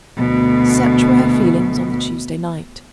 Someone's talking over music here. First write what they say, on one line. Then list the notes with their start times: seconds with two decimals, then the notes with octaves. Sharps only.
Such were her feelings on the Tuesday night.
0.17 D2 B2